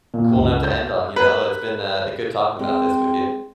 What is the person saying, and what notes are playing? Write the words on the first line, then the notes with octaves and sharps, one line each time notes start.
cool note to end on, you know, it's been, uh, a good talking about this with you.
A#2
C#2
G6
A#4 B4
G#3 C4